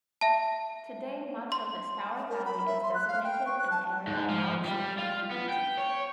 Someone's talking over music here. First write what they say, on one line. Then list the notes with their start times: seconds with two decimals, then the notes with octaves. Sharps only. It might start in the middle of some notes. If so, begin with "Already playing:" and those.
Today much of the Stour valley is designated an Area of Outstanding Beauty.
0.21 E5 A5
1.52 C6
2.30 A#4
2.45 B5
2.66 E5
2.83 C6
2.95 F#6
3.08 F5
3.24 G5
3.46 C#6
3.59 F#6
3.71 A5
4.07 G#2
4.30 F3
4.65 G3
4.98 F4
5.31 B3
5.50 G5
5.78 C#5